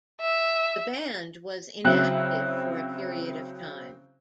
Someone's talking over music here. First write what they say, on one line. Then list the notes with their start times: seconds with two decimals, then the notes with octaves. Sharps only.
The band was inactive for a period of time.
0.21 E5
1.84 C#3 F#3 C4 E4 F#6